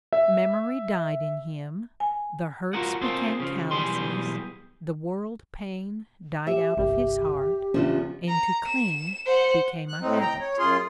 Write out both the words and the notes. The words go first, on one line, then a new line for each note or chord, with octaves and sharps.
Memory died in him, the hurts became callouses, the world-pain died out of his heart, and to cling became a habit.
E5
G#5
B3 F4 F#4 A#4 D#5 F#5
A#3 C4 D4 F4 G#4
C#3 F3
B1 E3 G3 B3 G#4 C6
G4 E5
G1 C2 G4
E2 C#3 F3 D4
A#5
E7
C5 F#5
F#6
A2 C4 D#4
G5 A#5
C#5
F#2 F4 G#4 C6